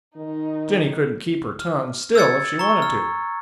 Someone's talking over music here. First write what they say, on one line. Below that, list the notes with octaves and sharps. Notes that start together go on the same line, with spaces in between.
Jenny couldn't keep her tongue still if she wanted to.
D#3 D#4
F6
E6 F6 G#6 A6 C#7
A#5 C#6
F6